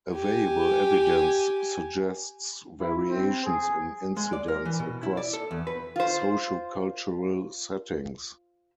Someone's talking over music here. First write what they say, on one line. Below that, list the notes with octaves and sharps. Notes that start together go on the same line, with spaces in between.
Available evidence suggests variations in incidence across sociocultural settings.
G4 G#5
E4
C4
G#4
G#3
D5
A#4
E3
B2
E4
D5
A4
E2
B4
F4 C5